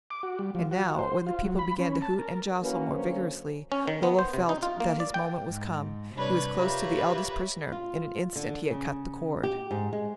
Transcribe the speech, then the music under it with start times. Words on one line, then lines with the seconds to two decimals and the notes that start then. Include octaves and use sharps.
And now, when the people began to hoot and jostle more vigorously, Lollo felt that his moment was come--he was close to the eldest prisoner: in an instant he had cut the cord.
0.11 D6
0.23 F#4
0.39 G3
0.55 F3
0.71 F#4
0.99 C5
1.27 F4
1.44 F#3
1.59 B5
1.79 C#4
2.02 A5
2.19 A#4
2.62 E3 A#3 C#4 F#4 B4
2.92 D3 F#3 A#3 C#4 A#4 C5
3.72 C#4
3.88 D#3
4.03 B3
4.19 C5
4.34 C3
4.49 D#4
4.63 F4
4.80 A#3
5.00 D5
5.14 G5
5.48 G#2
6.15 C3 G3 D4 B4 C#5 B5
6.56 F4 G4 A#4 B4 C#5 E5
7.72 F4
8.36 D3
8.71 C#3
9.43 G4
9.71 G#2
9.93 G#3